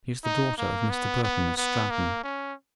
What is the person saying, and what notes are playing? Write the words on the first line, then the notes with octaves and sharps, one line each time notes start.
"She is the daughter of Mr. Burton of Stratton."
D#4
A#3
B3
B3
B3
A#3
C#4